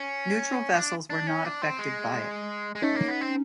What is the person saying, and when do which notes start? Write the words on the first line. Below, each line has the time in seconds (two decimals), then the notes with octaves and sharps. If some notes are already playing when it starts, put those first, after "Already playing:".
Neutral vessels were not affected by it.
Already playing: C#4
0.76 D4
1.10 D4
1.27 C#4
1.45 D4
1.62 C4
1.79 G#3
2.75 G#3
2.82 A3 C#4 D#4
2.96 A#3
3.08 B3
3.21 C4